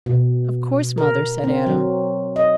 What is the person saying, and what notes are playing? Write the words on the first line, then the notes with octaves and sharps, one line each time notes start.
"Of course, Mother," said Adam.
B2
A#4
C4
F#3
D#5